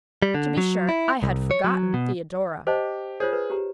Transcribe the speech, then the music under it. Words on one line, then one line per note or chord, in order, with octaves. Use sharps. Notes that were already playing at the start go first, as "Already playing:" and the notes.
"To be sure; I had forgotten Theodora."
G3
D3
F#3
E4
C2
C#5
F#3
B2
G4 C5 D#5 A5
F4 G#4 C5 C#5
B4
G4 A#5